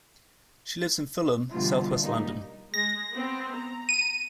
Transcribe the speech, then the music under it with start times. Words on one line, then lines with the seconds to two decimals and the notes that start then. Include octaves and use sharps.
She lives in Fulham, South West London.
1.50 B2 D3 E3 G3 F4
2.01 G3 A#3 D#4 G4
2.74 G#3 A#6
3.11 B3 C4
3.54 A#5
3.89 D#7